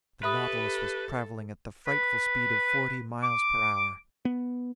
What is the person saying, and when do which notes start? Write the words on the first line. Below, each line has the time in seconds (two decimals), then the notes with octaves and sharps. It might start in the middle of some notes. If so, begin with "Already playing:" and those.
The Nautilus was traveling at the frightful speed of forty miles per hour.
0.23 G4 A4 B4 E5 B5 D#6
1.87 B4
3.23 D6
4.25 B3